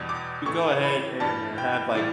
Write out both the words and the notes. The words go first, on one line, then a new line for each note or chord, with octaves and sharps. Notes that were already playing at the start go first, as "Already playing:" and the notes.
You go ahead and, uh, have, like
Already playing: E2 B2 G3
D6
A2 E3 A3 C#6
B5
G2 E3 G3 A5
G5
A2 E3 G3 D5